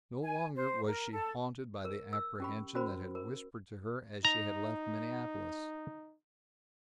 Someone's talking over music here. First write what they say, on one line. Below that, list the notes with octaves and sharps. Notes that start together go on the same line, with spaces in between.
No longer was she haunted by the apprehension that had whispered to her as she had left Minneapolis.
G#5
C5
A#4
A4
A#4
E6
C#4 G4 B5
C#4 F#4 A#4 C5 B5
A#4
D#4 A#5